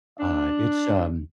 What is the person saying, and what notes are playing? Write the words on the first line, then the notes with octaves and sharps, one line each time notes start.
uh, it's um,
D4